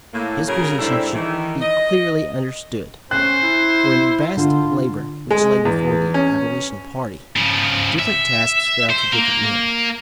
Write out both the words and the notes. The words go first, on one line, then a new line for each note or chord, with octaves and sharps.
His position should be clearly understood; for in the vast labor which lay before the abolition party different tasks fell to different men.
A2 A#3
C#3 F#3 A#4
G#2 G3 C4 D4 E4 A4
D#3 E3
D#5
C#4 C5 F#6
E4
D3 F4
G#3
E2
C#4
C#3 F3
E5
C5
A#3